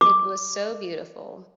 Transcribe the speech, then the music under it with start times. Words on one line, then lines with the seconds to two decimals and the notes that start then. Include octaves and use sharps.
It was so beautiful.
0.01 D6